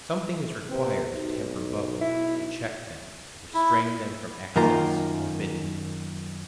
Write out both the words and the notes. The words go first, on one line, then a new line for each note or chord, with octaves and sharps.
Something is required to temper both--to check them, restrain them from excess, morbidity.
C3 B3 C4
B1
E4
E4
F#2 D#3 A#3 F4 A#5